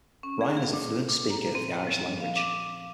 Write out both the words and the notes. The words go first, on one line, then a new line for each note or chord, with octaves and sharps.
Ryan is a fluent speaker of the Irish language.
C#4
G#4
G#4
A#2
A#2
A#5
C4
F3
F5
D6